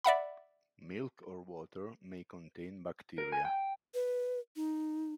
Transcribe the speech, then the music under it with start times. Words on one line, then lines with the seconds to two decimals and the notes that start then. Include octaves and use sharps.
Milk or water may contain bacteria.
0.04 D5 E5 F#5 B5
3.18 A#4
3.32 G#5
3.45 G5
3.94 B4
4.56 D#4